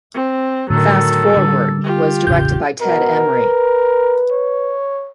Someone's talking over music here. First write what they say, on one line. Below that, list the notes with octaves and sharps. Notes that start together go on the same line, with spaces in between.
"Fast Forward" was directed by Ted Emery.
C4
A2 D3 D#3 F#3 A4
D3 G3
F4 G4
E1 A1 C#3 G6
B2 A#4
B4
C#5